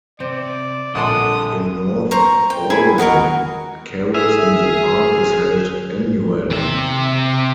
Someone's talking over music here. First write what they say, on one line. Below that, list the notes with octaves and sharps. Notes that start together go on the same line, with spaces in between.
In North Balwyn, Carols in the Park is held annually.
C3 C4 D5
A#1 D3 G3 A4 D5 F#5 C6 D#6
C5 A#5 C#6
G5
E4 G#4 B5
F#4 A#4 D#5 F#5
G#4 E5 G#5 F6
C3 E5